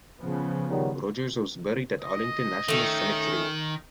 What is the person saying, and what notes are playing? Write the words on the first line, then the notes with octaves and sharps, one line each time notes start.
Rogers was buried in Arlington National Cemetery.
C#3 F3 B3
D#3 F#3 G3
D#5
D#3 A3 C#4